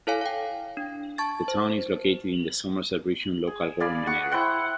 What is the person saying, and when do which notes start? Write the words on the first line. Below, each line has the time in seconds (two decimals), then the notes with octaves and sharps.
The town is located in the Somerset Region local government area.
0.07 E4 A4 C#5 F5 G#5
0.21 F5 G5
0.77 D4
1.18 A5 C#6 G#6 A6
1.48 C5
3.47 G#4
3.80 D5 F5 G#5 B5
4.07 G#4 F#5 C#6
4.32 E4 C5 F#5 G5